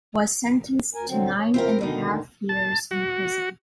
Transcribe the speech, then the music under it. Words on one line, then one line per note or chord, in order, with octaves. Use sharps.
Was sentenced to nine and a half years in prison.
D2 A#4 G#5
D3 F#3 C4
C#5
C3 E3 C4 F4 G4 A#4
D2 B2 D3 D#3 D#4
A5
F#4